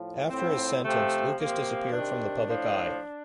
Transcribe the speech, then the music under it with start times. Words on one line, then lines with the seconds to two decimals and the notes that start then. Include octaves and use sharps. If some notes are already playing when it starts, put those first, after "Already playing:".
After his sentence Lucas disappeared from the public eye.
Already playing: A2 F3
0.29 A2 F3 C4
0.83 C3 F3 A3
1.38 C3 F3 A#3
1.91 C3 D#3 D4
2.45 A2 F3